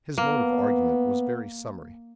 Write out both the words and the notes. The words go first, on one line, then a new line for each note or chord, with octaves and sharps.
His mode of argument was very summary.
A#3 B3